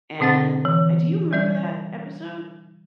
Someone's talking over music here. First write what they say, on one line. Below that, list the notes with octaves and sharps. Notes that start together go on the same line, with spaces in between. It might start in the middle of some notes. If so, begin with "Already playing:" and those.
and uh, do you remember that episode?
B2 D3 C4 F#5 A6
E3
G3 D5 G6